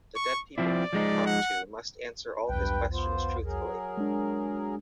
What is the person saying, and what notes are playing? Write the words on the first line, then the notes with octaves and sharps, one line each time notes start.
The dead people he can talk to must answer all his questions truthfully.
C#6
F3 C4 E4 D5
F3 G#3 D#4
F#5
B1 E2 G2 B4 G5
B3 F4 C5
F#3 G#4 A#4
G#3 D4